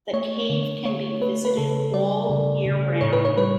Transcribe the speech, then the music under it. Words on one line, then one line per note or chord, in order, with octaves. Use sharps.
The cave can be visited all year round.
A3 C#5
D3
A3 C#5
A3 B4
B4
C#3 A4
G3 D5
C#3
C#3
A2 C#5
B4
C#5
G3 B4